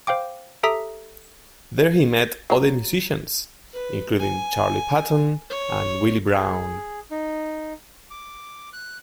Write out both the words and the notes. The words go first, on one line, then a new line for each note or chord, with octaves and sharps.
There he met other musicians, including Charlie Patton and Willie Brown.
C5 F5 G5 D6
G4 A4 E5 A#5 D#6 B6
F#3 A#5
B4
G#5
C#5
G#4
D#4
D6
F#6